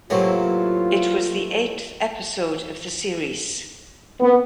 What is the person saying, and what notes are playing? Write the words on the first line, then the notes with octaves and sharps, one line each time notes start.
It was the eighth episode of the series.
A2 C3 E3 F#3 A#3 C#4 F4
B3